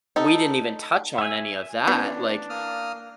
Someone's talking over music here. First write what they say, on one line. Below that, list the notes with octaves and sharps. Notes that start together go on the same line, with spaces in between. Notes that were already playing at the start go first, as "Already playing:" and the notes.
We didn't even touch on any of that. Like,
D#4 A4
E5 G#5
E3 B3 C#4 D4
A#3 D#6 F6